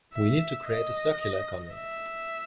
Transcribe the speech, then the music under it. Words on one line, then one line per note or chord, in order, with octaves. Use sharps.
We need to create a circular economy.
E5
D#5
E5